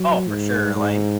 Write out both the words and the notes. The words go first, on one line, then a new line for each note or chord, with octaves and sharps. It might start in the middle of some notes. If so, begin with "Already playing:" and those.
Oh, for sure. Like,
Already playing: F#3
G#2
G#2